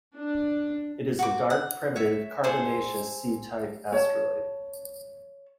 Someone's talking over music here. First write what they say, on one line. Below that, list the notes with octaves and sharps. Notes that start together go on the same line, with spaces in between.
It is a dark, primitive carbonaceous C-type asteroid.
D4
F#4 D6
F#5
C#5 E5
G#4 A4 C5 C6
C#5 A5